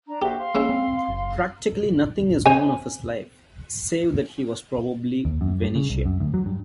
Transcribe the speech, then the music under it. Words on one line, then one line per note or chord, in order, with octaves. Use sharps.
Practically nothing is known of his life, save that he was probably Venetian.
D4 A#5
F#4 G4 C5 E5
F5 C6
G#3 C#4 E4
C4
F#1
C5 C#5 G#5
D#2
F#2
G2
C#3
C2
F#2
D2
F#3
G2